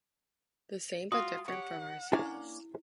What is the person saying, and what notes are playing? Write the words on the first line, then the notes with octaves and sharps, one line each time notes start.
The same but different from ourselves.
F4 F#4 D#6
G4 C#5 F#5
A#3 C#4 D4 E4